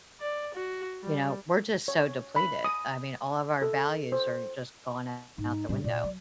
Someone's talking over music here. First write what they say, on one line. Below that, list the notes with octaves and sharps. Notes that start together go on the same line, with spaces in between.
You know, we're just so depleted. I mean, all of our values are just going out the window.
D5
F#4
G3
C#5
B5
D#6
A4
C5
G#2 D#4
A2 G3 D4
A#2 D5
F#3